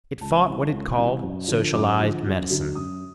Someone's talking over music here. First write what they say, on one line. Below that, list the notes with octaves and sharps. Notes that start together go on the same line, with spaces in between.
It fought what it called socialized medicine.
C#2 A5
C3 E3 G3
C#2
C3 E3 G3
F#2
D3 F3
F#2 D6
D3 F3
F#2
D3 F#3
F#2 D#6